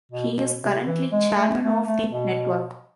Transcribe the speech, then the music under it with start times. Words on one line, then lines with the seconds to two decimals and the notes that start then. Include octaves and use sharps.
He is currently Chairman of the Network.
0.12 B2
0.36 B2
0.62 C3
0.87 E3
1.12 G#3
1.37 A3
1.62 A3
1.87 A3
2.12 B2